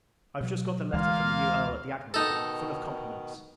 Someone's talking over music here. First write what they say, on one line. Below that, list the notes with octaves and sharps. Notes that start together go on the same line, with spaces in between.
I have just got a letter from the new Earl at the Admiralty, full of compliments.
B2 F#3
D2 E3 G#3 A#3 F4 F5
B2 D#3 D#4 A4